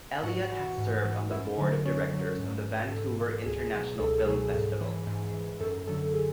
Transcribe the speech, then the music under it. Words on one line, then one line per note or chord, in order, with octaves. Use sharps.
Elliott has served on the board of directors of the Vancouver International Film Festival.
G#2 F#4 F#5
E3
G#2
E3
F#2 E4 E5
D3 F#3
F#2 C#4 C#5
D3 F#3
G#2
E3
G#2 A4
E3
C#2 G#4
B2 F#3
C#2 A4
A4
B2 F#3 G#4
G#2
E3
G#2
E3
F#2 A4
D3 F#3 A4
G#4